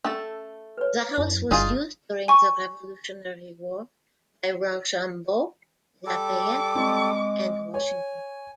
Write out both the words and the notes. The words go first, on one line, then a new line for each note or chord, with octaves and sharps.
The house was used during the Revolutionary War by Rochambeau, Lafayette, and Washington.
A3 C#4 A4
B4 C#5
F#2 E4
G1 D#4 F4 G#4
G#5 C#6
G3 A4 D6
G#3 C4
C#5 G#5